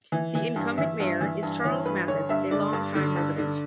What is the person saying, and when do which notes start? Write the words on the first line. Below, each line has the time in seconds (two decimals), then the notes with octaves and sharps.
The incumbent Mayor is Charles Mathis, a long time resident.
0.12 E3
0.35 E3
0.56 G2
0.78 E3 E5
1.00 G2
1.21 E3
1.43 G2
1.64 E3 C#5
1.86 G2 B4
2.08 D3 C#5
2.29 G2 E5
2.51 D3 D5
2.73 G2
2.95 D3
3.16 G2
3.38 D3